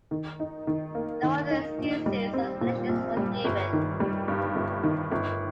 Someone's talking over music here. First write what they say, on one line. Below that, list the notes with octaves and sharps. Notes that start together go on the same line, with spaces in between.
No other excuses or explanations were given.
D#3
D#4
D#3
A#3
D#3
D#4
A#1
G3
C4
A#2
A#1
G3
G1
D#3
G3
G2
G1
D#3
G1